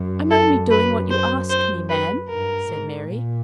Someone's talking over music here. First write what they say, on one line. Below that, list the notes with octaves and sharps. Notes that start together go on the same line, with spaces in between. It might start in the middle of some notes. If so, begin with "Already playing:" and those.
"I am only doing what you asked me, ma'am," said Mary.
Already playing: F#2
A4
B4
C5
C5
B4
G2 A#4
G#2
A#2